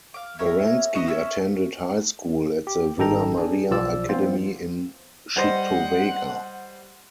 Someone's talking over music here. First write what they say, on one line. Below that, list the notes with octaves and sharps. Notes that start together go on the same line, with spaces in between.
Baranski attended high school at the Villa Maria Academy in Cheektowaga.
F5 D6
E4 G4 A#4 C#5
F#4 D#5 E5 A#5
C#4 E4 E6
G4
G#1 D#4 A4 G5 A#5
D4 G#4
B1 F3 F4 D5 E6
F3 B3 C4 F4 C5
G3 C5 D#5 F#5